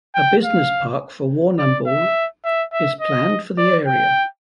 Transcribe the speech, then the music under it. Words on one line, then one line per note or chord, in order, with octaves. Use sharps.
A business park for Warrnambool is planned for the area.
G5
F5
D5
E5
E5
E5
D#5
D5
G5